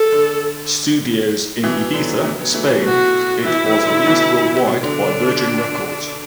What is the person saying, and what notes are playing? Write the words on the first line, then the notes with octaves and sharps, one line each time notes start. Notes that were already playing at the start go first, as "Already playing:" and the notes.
Studios in Ibiza, Spain, it was released worldwide by Virgin Records.
Already playing: A4
D3
B2 E3
D3 F#3
E3 A3
F#3 B3
E3 A3
B2 E3
F#4
B2 E3 E4
E3 A3
D3 F#3
B2 E3
B2 D4
D3